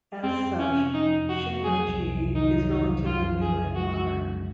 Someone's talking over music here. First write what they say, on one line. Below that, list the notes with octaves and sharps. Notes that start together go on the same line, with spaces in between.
As such, Shinmachi is relatively new and modern.
F2 C4
F2
C#4
C3
F3 D#4
F2
F#4
F2
F#3 G#4
C2
C3
D#3 D#4
F#3
D#4
C2
F#2 F4
F#2
G#4
C#3
G#3 F#4
F#2
F#2